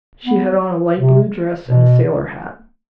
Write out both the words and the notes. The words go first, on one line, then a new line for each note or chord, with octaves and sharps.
"She had on a light-blue dress and a sailor hat."
B3
C3
B2